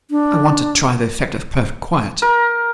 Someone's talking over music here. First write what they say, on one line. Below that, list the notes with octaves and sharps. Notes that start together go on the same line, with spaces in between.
I want to try the effect of perfect quiet.
D4
A#4